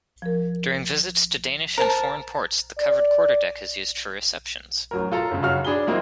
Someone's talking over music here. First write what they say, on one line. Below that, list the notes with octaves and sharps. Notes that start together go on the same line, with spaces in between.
During visits to Danish and foreign ports the covered quarterdeck is used for receptions.
F3 A#4
A#4 C5 A5
D5
A1 F#3 A#4
F4 A4 A#5
G1 C#3
F#2 C#3 F#4 F5 F6
D4 G#4 B5 G7
F#3 G#3 A#3 C4 E4